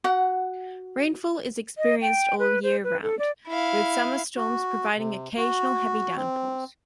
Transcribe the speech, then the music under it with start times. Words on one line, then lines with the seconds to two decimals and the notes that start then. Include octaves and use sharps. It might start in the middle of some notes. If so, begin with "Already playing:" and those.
Rainfall is experienced all year round, with summer storms providing occasional heavy downpours.
0.04 F#4 F#5
1.78 D#5
2.02 G5
2.39 B4
2.63 C5
2.84 B4
3.03 A4
3.19 D5
3.48 E4 F5
4.36 F#4
4.97 C3
5.37 F#4
6.16 C4